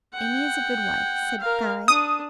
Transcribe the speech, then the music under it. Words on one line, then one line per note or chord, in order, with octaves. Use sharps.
'Amy is a good wife,' said Guy.
F#5 G5
A#4 F5
D4 D#6